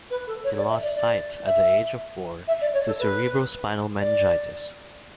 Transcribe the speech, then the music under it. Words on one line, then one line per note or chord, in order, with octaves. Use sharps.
He lost his sight at the age of four to cerebrospinal meningitis.
B4
A4
C#5
D5
E5
D5
D5
E5
E5
D5
C#5
A4
B4
D5